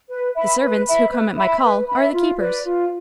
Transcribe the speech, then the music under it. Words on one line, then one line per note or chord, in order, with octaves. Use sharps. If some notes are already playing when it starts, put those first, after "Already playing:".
The servants who come at my call are the keepers.
B4
E5 B5
B4
E5 B5
B4
E5 B5
B4
E5 B5
F4
B4 D5
F4